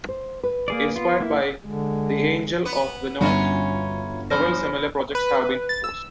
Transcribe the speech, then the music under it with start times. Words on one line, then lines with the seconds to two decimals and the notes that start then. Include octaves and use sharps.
Inspired by the "Angel of the North", several similar projects have been proposed.
0.09 C5
0.44 B4
0.68 A#3 G#4 D5
0.96 B3 F4
1.20 A#3 E4
1.65 D3 G#3
2.65 B3 B4
3.21 G1 C#4 F4 F#4 E5 A#5 B5
4.30 F#2 C5 B5 F6 A#6
5.15 B4
5.69 A6
5.84 E6